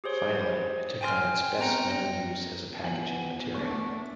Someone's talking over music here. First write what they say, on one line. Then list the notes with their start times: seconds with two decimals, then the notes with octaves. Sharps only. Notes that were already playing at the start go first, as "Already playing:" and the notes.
Finally, it took on its best-known use as a packaging material.
0.04 G4 G#4 C5 C#5
1.01 G5 G#5 C6 F6
1.59 B3 C4 G5 A#5 A#6 C#7
1.91 A#6
2.84 F3 B3 G#5 F#7
3.54 A3 D4 C#6